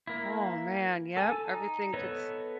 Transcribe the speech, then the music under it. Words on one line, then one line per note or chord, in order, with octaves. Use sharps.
Oh man, yep, everything gets
A#3 E4
A4 G#5
D#4
B3 A4 B4 C#5 D#5